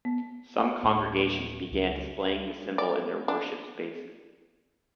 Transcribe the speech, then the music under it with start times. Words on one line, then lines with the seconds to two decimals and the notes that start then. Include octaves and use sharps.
Some congregations began displaying the symbol in their worship spaces.
0.05 B3
0.83 D1 A2 A#3
1.71 C#2
2.78 D5
3.28 D4